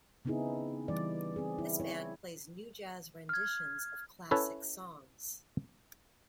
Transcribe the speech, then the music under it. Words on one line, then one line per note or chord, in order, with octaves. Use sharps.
This band plays new jazz renditions of "classic" songs.
C#3 B3 C4 D#4 E4 G#4
E3 G3 D5
C4 G#4
E4
E4 C#5
F6 G#6
C#4 E4 A4 B4 C#5 E5